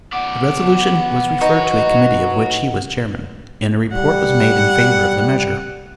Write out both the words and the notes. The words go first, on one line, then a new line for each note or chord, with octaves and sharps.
The resolution was referred to a committee of which he was chairman, and a report was made in favor of the measure.
B3 D5 F#5
D#4 F#4 B4 C#5
G3 F#5